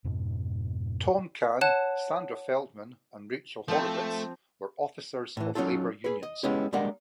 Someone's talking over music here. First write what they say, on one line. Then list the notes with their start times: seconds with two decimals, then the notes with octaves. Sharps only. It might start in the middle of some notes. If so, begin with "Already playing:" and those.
Tom Kahn, Sandra Feldman, and Rachelle Horowitz were officers of labor unions.
0.04 F2 G#2 B2
1.61 C#5 F#5 A5 F#6 E7
3.68 F3 A3 C4
5.37 A2 E3
5.55 F#3 C#4 D#4 F4 A4
6.04 G#4 B4
6.23 D#5
6.43 G#3 B3 C#4 E4 G4
6.73 G3 G#3 A#3 D4 A#4 F#5